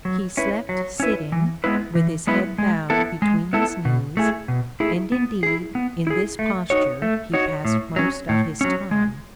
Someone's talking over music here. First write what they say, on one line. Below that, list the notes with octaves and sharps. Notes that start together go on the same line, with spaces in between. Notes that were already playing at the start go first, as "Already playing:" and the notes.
He slept sitting, with his head bowed between his knees, and, indeed, in this posture he passed most of his time.
F#3
C#4 E4 B4
F#3
C#4 E4 B4
E3
G#3 B3 E4 B4
E3
G#3 B3 E4 B4
G#3
B3 E4 A4
G#3
B3 E4 A4
B2
A3 E4 G#4
B2
A3 E4 G#4
B3
E4 G#4
B3
E4 G#4
A3
D#4 F#4 C#5
A3
D#4 F#4 C#5
A2
F#3 C#4
A2
F#3 C#4
G#3